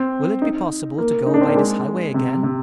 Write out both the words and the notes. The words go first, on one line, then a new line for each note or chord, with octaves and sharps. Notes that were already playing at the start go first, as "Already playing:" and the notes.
"Will it be possible to go by this highway again?"
Already playing: C4
D#4
A#3
D#4
D4
C4
A#3
G#3
C3
C3